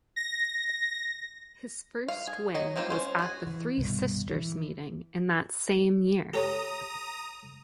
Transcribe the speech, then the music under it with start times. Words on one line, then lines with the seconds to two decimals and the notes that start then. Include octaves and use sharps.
His first win was at the Three Sisters meeting in that same year.
0.16 A#6
2.08 F5
2.27 G#4
2.55 F#3 D#5
2.76 E3 A#3 C4 D#4 F4
2.90 C#4 C5
3.19 F#4 G#4
3.47 E3
3.78 C2 G2 B2 D#3
4.33 E3
6.34 G4 A4 C#5 A#5 D#6